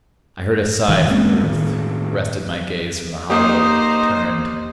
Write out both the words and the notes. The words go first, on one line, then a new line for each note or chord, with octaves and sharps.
I heard a sigh from Ruth; wrested my gaze from the hollow; turned.
E1 D#3 E3 G3
G#3 A#3 C4 C#4
A2 D#3
A#3 D#4 G4 C5 D#5 D#6